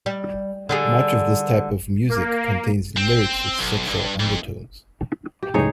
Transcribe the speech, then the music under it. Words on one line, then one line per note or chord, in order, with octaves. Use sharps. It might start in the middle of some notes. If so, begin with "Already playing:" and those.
Much of this type of music contains lyrics with sexual undertones.
G3
D3 G3 G#4
A#3
C4
B1
G2
F2
G4
C#2 F#2 A2 D#4 G#4 C#5